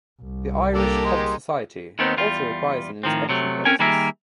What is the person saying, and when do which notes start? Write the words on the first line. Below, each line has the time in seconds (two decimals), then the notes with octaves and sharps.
The Irish Cob Society also requires an inspection process.
0.23 C2
0.74 A#3 D4 G4 A4
1.05 G#3 D#4 C6
1.99 D#2 D#3 B3 C4 D#4
2.17 E2 G3 F4
3.03 A2 D#3 F3 C4
3.29 C3 F#3 A3
3.65 C4 C#4 A#4 G5 G#5
3.79 D#3 G3 A#3 G#4 A#4 E5